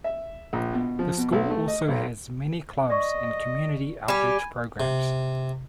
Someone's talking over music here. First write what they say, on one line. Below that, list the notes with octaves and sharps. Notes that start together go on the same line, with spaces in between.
The school also has many clubs and community outreach programs.
E5
A#1
B2
F3
B2
B1
A3
D#5
B1
D5 D#5 C#6
G3 G4 G#5 B5
C3